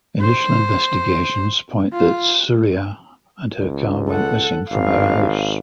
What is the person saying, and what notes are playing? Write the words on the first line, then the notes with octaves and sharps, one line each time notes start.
Initial investigations point that Surya and her car went missing from her house.
C5
F4
C#2
A4 F#5
G#1 F5